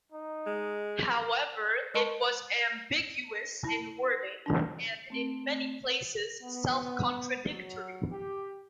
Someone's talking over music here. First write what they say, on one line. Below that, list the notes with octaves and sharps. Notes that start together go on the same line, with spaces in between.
However, it was ambiguous in wording, and in many places self-contradictory.
D#4
G#3
G#3 A#4 D#5 A5 C6 C#6
E4 A5
E3 D4
A3 C4
B3
F#3
G4